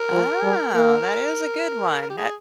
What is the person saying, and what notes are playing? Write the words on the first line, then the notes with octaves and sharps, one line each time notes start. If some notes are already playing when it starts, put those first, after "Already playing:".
Oh, that is a good one, that
Already playing: A#4
F3
G3
A#3 A#4
A#4
G4
G#4